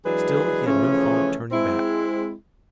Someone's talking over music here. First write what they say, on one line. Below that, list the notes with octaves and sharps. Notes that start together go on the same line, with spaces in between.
Still he had no thought of turning back.
E3 F#3 G#3 D4 G#4 B4
C#3 E3 F3 A3 C#4
G#3 C4 E4